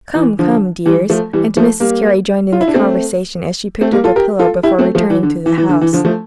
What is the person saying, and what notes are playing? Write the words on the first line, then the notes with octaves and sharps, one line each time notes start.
"Come, come, dears," and Mrs. Carey joined in the conversation as she picked up a pillow before returning to the house.
E3
D3 F3
E3 G3
F3 A3
E3 G3
F3 A3
G3 A#3
F4
E4
D4
A3 C4
A3 C4
G3 A#3
F4 A4
G4 A#4
F4 A4
E4 G4
A3 C4
F3 A3
E3
D3
E3
E3
D3
E3
D3 F3
F3 A3